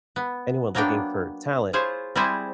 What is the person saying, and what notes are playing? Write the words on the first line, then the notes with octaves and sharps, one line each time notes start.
anyone looking for talent.
B3
F#3 A#3 B3 D4 G5
E4 F4 G#4 C5 C#5
G3 C4 E4 G#4 C5